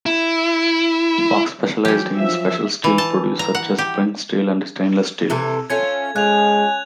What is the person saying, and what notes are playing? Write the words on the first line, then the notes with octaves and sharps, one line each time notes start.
Fox's specialised in special steel produce such as spring steel and stainless steels.
E4
E3 F#3 C#4 F#4 G4
F3 E5
E3
A5
A#5
F#5
G4
C3 E3 A4
A3 C#4 F4 G#6
F3 G#3 C#4 F#6 G#6 F7